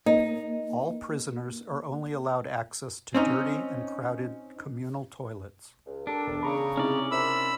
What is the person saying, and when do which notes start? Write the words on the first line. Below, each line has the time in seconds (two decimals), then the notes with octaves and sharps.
All prisoners are only allowed access to dirty and crowded communal toilets.
0.06 A#3 D#4
3.15 C4 C#4 D#4
5.86 C#2
6.07 D4 G4 A4 A#4
6.26 E1
6.43 C#3 G#4 A#5 B5 C#6
6.77 C3 C#4 D#4 E4 D5
7.11 A#4 C5 E5 B5 E6